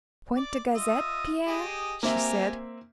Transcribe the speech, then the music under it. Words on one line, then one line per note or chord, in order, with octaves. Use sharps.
"Point de gazette, Pierre?" she said.
D5 D6
F4 D#5 E5
G4 G#4 D#5
A#3 C4 G4 E5 G#5 A#5